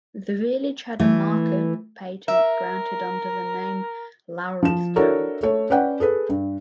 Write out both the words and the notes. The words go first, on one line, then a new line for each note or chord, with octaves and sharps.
The village had a market patent granted under the name "Lowrystown".
E3 A3
A#4 E5
F3 E7
D4 E4 F#4 A4 A#4 C#5
A3 C#5
C#4 B4 D5 F#5 G5
G#4 A4 B4
G2